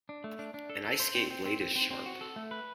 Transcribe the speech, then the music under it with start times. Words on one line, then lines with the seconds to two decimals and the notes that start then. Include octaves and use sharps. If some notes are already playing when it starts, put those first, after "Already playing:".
An ice skate blade is sharp.
0.09 D4
0.24 A3
0.39 D4
0.54 D4
0.70 A4
0.85 A4
1.00 C5
1.15 C4
1.30 C4
1.45 C4
1.61 C4
1.76 C4
1.91 C4
2.06 F#4
2.21 A4
2.36 A3
2.51 B4